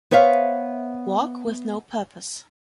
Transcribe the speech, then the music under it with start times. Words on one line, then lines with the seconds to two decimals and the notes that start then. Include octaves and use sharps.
Walk with no purpose.
0.11 B3 C5 C#5 E5 F5